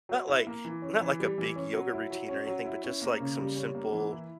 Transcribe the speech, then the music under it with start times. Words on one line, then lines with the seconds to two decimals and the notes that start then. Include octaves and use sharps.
not like not like a big yoga routine or anything, but just, like, some simple
0.09 F#3
0.28 E4
0.47 A#3
0.65 E3
0.82 C#4
1.01 E3
1.20 G3
1.38 E3
1.56 C#4
1.74 F#3
1.93 E4
2.11 F#3
2.29 C#4
2.47 F#3
2.66 E4
2.83 C#4
3.02 A#3
3.20 C#3
3.38 G3
3.56 C#4
3.75 A#3
3.92 E3
4.11 E4